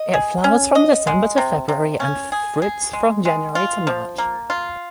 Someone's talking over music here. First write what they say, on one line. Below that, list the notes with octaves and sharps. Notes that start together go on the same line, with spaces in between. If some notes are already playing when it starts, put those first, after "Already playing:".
It flowers from December to February and fruits from January to March.
Already playing: D#5
G#4
C#4
D#5
G#3
C3
C3
C#4
G#4
G#4
G#3
G#3
F4
F3
A#3
F4